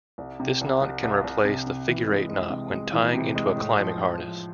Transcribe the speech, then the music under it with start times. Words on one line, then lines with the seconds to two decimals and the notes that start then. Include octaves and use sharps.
This knot can replace the figure-eight knot when tying into a climbing harness.
0.18 C2
0.40 C3
0.61 C2
0.81 C2
1.03 C2
1.24 C2
1.45 C3
1.67 C3
1.88 E3
2.08 G#3
2.29 G#3
2.50 C3
2.72 G#3
2.93 E3
3.14 C3
3.35 G#3
3.56 A2
3.77 F3
3.98 F3
4.20 F3